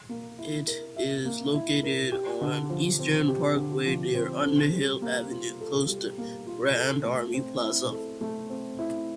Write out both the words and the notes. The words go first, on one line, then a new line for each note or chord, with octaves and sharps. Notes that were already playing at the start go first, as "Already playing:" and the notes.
It is located on Eastern Parkway near Underhill Avenue, close to Grand Army Plaza.
A#3
E4
A#4
E5
A#3
E4
A#4
G4
D3
F3
C4
G4
D3
F3
C4
A4
G3
A#3
F4
A4
G3
A#3
F4
A4
A3
C4
E4
A4
A3
C4
E4